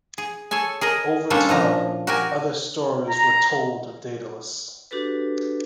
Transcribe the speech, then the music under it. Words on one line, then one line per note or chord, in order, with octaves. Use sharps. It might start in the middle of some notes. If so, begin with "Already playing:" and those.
Over time, other stories were told of Daedalus.
G#4
G#4 A4 C#5 G#5
G#4 A#4 D#5
G3 A#3 C#4 D4 A4 C5
A#2 F3 A#5
F#4 G4 A#4 G5 G#5
A#5
D4 F#4 G4 A4 B4